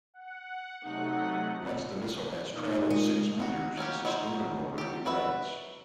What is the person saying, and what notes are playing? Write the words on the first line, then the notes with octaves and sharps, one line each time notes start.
Once the missile has travelled six meters, the sustainer motor ignites.
F#5
C3 F#3 A3 D#4 F#5
A#2 D#4
G#3
D#4 F#4
F#3 A#3 C#4 G4
F#3 D#4 E4 C5
F#3 G4
F#3 F#4 B4 E5